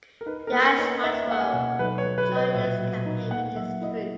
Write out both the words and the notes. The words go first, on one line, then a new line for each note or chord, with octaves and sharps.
Yashwantrao joined this campaign with his troops.
A#4
D#4 B4
A#4
A#3 B4
D#4 C#5
D#4 E5
A#3 F#5
G#5
B2
F#3 B4
C#5
F#3
B4
F#3
D#5
A#2 E5
F#3
D#4
A#3 F#5
F#3 E5
E4 D#5